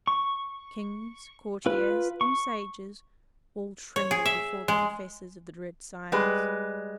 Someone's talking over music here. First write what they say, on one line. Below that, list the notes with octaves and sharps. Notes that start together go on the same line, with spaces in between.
Kings, courtiers, and sages, all trembled before the professors of the dread science.
C#6
F4 B4
C#6
C#5
G#4
E5
G#3
G3 G#3 B4